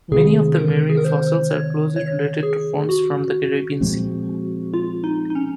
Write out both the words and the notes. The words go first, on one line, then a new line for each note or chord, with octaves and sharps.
Many of the marine fossils are closely related to forms from the Caribbean Sea.
C3 D#3 G#3 C4 G#4
A#4
G#4
A#4
C5
C#5
C#5
G#4
F#4
A#2 F3 G#3 C4
F4
D#4
D#4
C#4